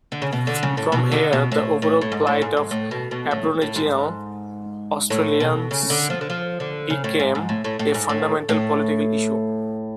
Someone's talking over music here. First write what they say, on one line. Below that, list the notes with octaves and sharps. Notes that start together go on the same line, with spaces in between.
From here, the overall plight of Aboriginal Australians became a fundamental political issue.
D3
C#3
B2
D3
C#3
A2
B2
D3
B2
A2
A2
A2
G#2
A2
G#2
G#2
A2
B2
B2
A2
A2
G#2
A2
B2
C#3
D3
F3
D3
F3
D3
C#3
A2
G#2
G#2
A2
A2
A2
G#2
A2
A2